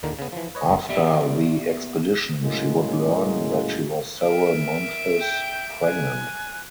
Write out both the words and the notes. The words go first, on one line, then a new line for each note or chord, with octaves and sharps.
After the expedition she would learn that she was several months pregnant.
D#2 A#2 D3 D#3 A#3
C#3 B3
E3 F3
B4 C#5 D#5
G1 G#3 D#5
A#3 B3 G4 D5 E5 G5
A2 C#3 F#3 G#3 A#3
A#4 E5 D7
G5 G6
G#5 F#6